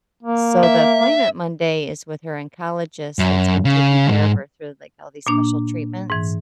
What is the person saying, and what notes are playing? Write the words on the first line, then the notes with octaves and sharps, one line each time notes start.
so the appointment Monday is with her oncologist that's been taking care of her through, like, all these special treatments.
A#3
E5
F#2
C#3
D2 G#2
A#2 A#3 D4
G#2 E3